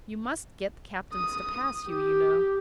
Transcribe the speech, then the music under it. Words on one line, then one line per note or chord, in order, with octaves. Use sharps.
You must get the captains to pass you, you know.
D#6
G4